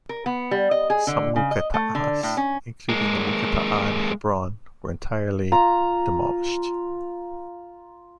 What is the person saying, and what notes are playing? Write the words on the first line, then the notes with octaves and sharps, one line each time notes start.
Some Mukataas, including the Mukataa in Hebron, were entirely demolished.
A#4
B3
G3
D#5
G#4
D3
C#3
D#5
A3
D3
A2
C#4
G#3 A#3
F4 A#5